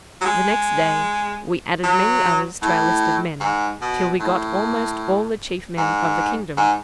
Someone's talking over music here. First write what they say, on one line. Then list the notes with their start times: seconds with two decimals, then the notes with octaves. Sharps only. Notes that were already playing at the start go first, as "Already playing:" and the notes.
The next day we added many others to our list of men, till we got almost all the chief men of the kingdom.
0.21 F#3
0.25 G#3
1.84 F#3
2.62 A2
3.41 G#2
3.81 B2
4.20 A2
5.77 G#2
6.57 G#2